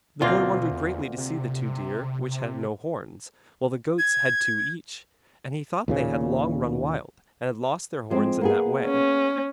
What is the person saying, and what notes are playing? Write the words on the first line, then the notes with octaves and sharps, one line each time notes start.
The boy wondered greatly to see the two deer which had no horns, while the goats had two each; and he thought they had long run wild, and had lost their horns in that way.
D2 B2 A#3 C4 F4
E2
C3
G#6
D#2 A#2 C#3
F3 G#3 C4
A#3 B3 G#4
C#4